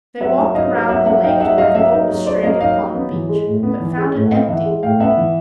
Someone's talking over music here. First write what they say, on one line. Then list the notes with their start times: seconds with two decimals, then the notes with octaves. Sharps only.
They walked around the lake to where the boat was stranded upon the beach, but found it empty.
0.21 F#3 E5 F#5
0.38 A#3
0.55 D#4 D#5 F5
0.72 F#3
0.89 F#3 E5 F#5
1.06 A#3 E5 F#5
1.23 D#4 F5 G5
1.40 F#3 E5 F#5
1.58 F#3 D#5 F5
1.75 A#3 E5 F#5
1.92 D#4
2.09 F#3
2.26 F#3 C5 D5
2.43 A#3 D#5 F5
2.60 D#4 D#5 F5
2.77 F#3
2.95 B3
3.11 E3
3.29 G#3
3.46 A2
3.63 B3
3.80 E3
3.97 G#3
4.14 A2
4.26 F#5
4.31 B3 D#5 F5
4.48 E3 E5 F#5
4.65 G#3
4.82 A2 F5 G5
5.00 B3 E5 F#5
5.17 E3